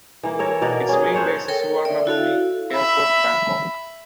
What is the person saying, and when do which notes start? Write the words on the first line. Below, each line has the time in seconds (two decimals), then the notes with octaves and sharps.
Its main base is Suvarnabhumi Airport, Bangkok.
0.23 E3 A#3
0.39 A4 A#4 C#5
0.61 B2 A#3 A#4 D5
0.89 C#4 G#4
1.14 A4 C5 C#5 F#5
1.48 A4 A#4 C#5 G5
1.85 D5 E5
2.06 E4 F#4 A4 F5
2.73 E5 B5